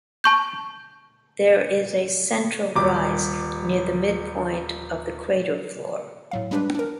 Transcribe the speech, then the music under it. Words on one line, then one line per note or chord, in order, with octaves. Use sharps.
There is a central rise near the midpoint of the crater floor.
A5 C#6 G6
D#1 G3 D6
A2 F#3 F5
G3 G#3 D4 G4 B4
D4 A#4